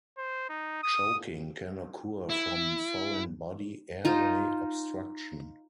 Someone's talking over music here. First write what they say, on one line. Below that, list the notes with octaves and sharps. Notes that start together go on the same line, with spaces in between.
Choking can occur from foreign body airway obstruction.
C5
D#4
D#6
E4
D#4 F4 C5